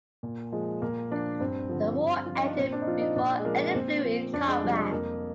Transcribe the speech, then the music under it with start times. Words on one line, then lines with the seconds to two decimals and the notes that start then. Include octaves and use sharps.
The war ended before any flew in combat.
0.23 A#2
0.52 F3 G#3
0.82 A#2 A#3
1.11 F3 D4
1.40 G2 C4
1.69 D3 F3
1.99 G2
2.26 F3 F4
2.37 D#4
2.47 D4
2.57 A#2 C4
2.73 D4
2.82 D#4
2.87 F3 F4
3.01 D#4
3.16 A#2 D4
3.39 G#3
3.45 F3 A#3
3.70 D4
3.75 A#2 C4
4.04 F3
4.33 F2 D4
4.48 G#3
4.62 C3 F3 G3
4.77 G#3
4.91 F2 A#3